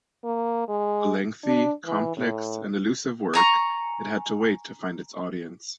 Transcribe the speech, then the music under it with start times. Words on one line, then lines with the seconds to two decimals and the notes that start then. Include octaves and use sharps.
A lengthy, complex, and allusive work, it had to wait to find its audience.
0.24 A#3
0.69 G#3
1.44 D4
1.85 E3
2.17 A2
3.34 G#5 A#5 C#6